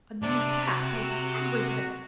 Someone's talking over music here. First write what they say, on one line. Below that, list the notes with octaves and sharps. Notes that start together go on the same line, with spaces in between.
A new cap, and everything!'
C3 D4
F#4